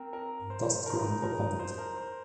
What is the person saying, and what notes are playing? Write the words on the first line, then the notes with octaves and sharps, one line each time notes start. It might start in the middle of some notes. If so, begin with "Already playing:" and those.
Dust ground upon it.
Already playing: C4 A#4
A#4
C5
D#4 A#4
A#4
C5
A#4
C5